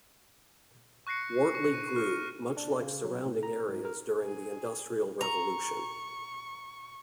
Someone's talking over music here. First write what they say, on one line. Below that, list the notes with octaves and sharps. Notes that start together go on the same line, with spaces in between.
Wortley grew, much like surrounding areas during the industrial revolution.
C#6 F#6 A#6 C7 C#7
C#6
D#7
F6 C#7
D4
C#3
F#3
A2
A#5
G#2
A#4
G#4
A#5 C#6